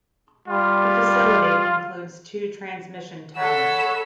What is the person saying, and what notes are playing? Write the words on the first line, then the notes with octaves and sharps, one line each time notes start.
The facility includes two transmission towers.
G3 F4
A4 C#5 F#5 B5 E6